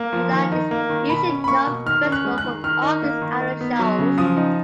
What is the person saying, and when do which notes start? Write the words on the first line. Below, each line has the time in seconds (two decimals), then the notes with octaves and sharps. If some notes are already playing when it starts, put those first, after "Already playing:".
The land is usually not visible from off these outer shoals.
Already playing: A#3
0.13 F3
0.32 D#3
0.52 D#4
0.71 A#3
0.89 D#3
1.09 B2 B5
1.29 C#4
1.44 B5
1.48 A#3 C#6
1.67 B2
1.86 D#3 F6
2.05 C#4
2.12 F#6
2.25 G#3
2.38 F#6
2.44 D#3
2.64 D#3 F6
2.83 D#4
3.02 A#3
3.21 D#3
3.40 D#4
3.61 B3
3.79 F#3
3.99 C#3
4.17 F3 D#6
4.37 D#4